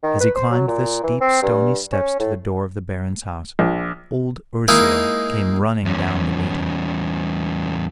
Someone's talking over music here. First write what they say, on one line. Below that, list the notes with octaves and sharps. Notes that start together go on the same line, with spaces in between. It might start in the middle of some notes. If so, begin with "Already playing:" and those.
As he climbed the steep, stony steps to the door of the Baron's house, old Ursela came running down to meet him.
D#3
B4
C5
F#3
A#2
E3
C4
G2
C#4
A2
A#1
G#3 A#3 D#4 E4
E2 C#4